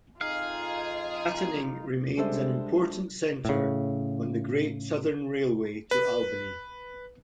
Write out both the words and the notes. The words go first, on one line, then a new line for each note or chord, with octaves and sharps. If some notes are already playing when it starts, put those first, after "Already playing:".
Katanning remains an important centre on the Great Southern Railway to Albany.
F2 D#4 F4 G#4 F5
G3 G#3 D4 A4 C5 E5
A2 C#3
B4